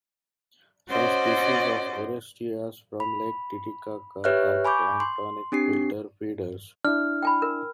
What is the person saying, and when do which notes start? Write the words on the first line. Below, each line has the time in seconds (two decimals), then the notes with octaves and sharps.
Some species of "Orestias" from Lake Titicaca are planktonic filter feeders.
0.89 C#4 F#4 C5 D5 D#5
3.00 B5
4.24 G4 B4 C#5 E5 F6 F#6
4.65 G#5 B5 C#6 D6 G6
5.00 C6
5.52 C4 D4 G4 C7
6.85 D4 E4 F6
7.23 G5 G#5 B5
7.42 A#4